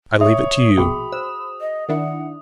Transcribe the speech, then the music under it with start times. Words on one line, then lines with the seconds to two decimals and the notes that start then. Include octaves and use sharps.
I leave it to you.
0.21 C#5 E5 D#6
0.78 A#1 B2 F#4 G#4 G5 B5
1.12 C5 E6
1.61 D#5
1.89 D#3 D4 E4 F#5